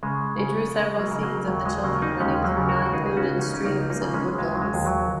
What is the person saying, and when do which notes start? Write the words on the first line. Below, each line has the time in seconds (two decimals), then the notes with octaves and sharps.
They drew several scenes of the children running through non-polluted streams and woodlands.
0.03 C#3 G#3
0.38 C#3
0.75 C#3 G#3
0.99 F#3 A#3
1.11 C#3
1.23 F#3 A#3
1.47 D#2 F#3
1.66 G#3
1.84 C#3 F#3 A#3
2.02 A#3 D#4
2.20 D#2 G#3 C#4
2.44 F#3 A#3
2.57 C#3
2.69 F#4 A#4
2.86 F#4
2.93 C#2 D#4 G#4
3.05 G#4
3.17 C#4 F#4
3.29 C#3
3.41 A#3 D#4
3.54 C#4
3.65 C#2 A#3 D#4
3.90 A#3 D#4
4.01 C#3 A#3
4.14 G#3 C#4
4.38 D#2 G#3
4.55 F#3
4.62 G#3
4.74 D#2
4.86 F#3